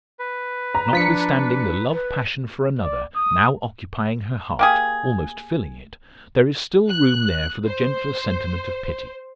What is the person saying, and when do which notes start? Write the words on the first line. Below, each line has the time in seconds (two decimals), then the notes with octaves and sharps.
Notwithstanding the love passion for another now occupying her heart--almost filling it--there is still room there for the gentler sentiment of pity.
0.19 B4
0.75 A#5
0.93 F3 D4 B6 C#7
1.90 B4
2.79 D5
3.16 D#6
4.59 A#3 G4 G#4
6.88 F#6
7.67 C5